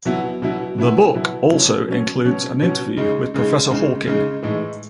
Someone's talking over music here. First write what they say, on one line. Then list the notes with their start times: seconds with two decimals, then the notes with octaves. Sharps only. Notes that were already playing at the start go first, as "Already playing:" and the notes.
The book also includes an interview with Professor Hawking.
0.05 B2 F#3 B3 E4
0.42 B2 F#3 B3 E4
0.78 B2 F#3 B3 E4
1.15 B2 F#3 B3 E4
1.52 B2 F#3 C#4
1.88 B2 F#3 C#4
2.25 B2 F#3 C#4
2.61 B2 F#3 C#4
2.97 C#3 G#3 D#4
3.34 C#3 G#3 D#4
3.71 C#3 G#3 D#4
4.06 C#3 G#3 D#4
4.42 A2 E3 G#3 D#4